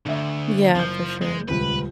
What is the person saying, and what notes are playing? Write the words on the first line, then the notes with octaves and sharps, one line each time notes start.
Yeah, for sure.
D2 G#2 D3 E5
F#1 F3 G6
G#3
D#1 C#2 B4